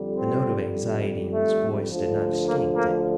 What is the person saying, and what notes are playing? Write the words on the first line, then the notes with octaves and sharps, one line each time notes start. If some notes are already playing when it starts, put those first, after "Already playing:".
The note of anxiety in his voice did not escape Dick.
Already playing: F2 D3 G3
C4
A3
D2 D3 F3
A#3
A#3